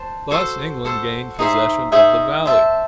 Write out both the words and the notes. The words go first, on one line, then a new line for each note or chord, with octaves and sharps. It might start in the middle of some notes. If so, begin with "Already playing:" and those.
Thus England gained possession of the valley.
Already playing: C5 A5
F#4 A4 C5
F#4 A4 C5
D#4 G#4 C5 E5
D#4 G#4 C5 E5
C5 E5 A5